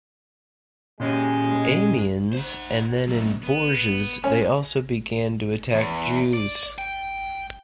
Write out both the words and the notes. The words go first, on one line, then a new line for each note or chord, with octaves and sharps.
In Amiens, and then in Bourges, they also began to attack Jews.
A#2 G#3 C#4 G4
C5 F#5
F#3 A#3
B3
G#3 C#4 C#5
E2
D5
G5